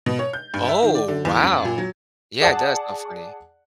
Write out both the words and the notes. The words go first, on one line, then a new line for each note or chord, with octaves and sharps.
Oh, wow. Yeah, it does sound funny.
B2
C#5
G6
G2
E5
D#3
D5
D3
E2
F#2
A#2
F#3
G#4 D5 F#5 A5